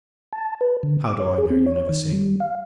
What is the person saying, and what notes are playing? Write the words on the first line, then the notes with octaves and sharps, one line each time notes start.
How do I know you never sing?
A5
B4
D3
D6
C#5
G#4
C4
C#5
D#3
G3
F5